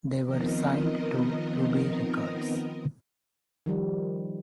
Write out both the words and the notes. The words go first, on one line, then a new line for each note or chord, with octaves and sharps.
They were signed to Ruby Records.
D#3 F3 B3 C4 A#4 D#5
D#3 F3 G3